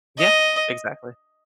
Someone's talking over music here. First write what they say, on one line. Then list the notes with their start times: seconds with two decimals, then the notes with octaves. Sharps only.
Yeah, exactly.
0.18 D#5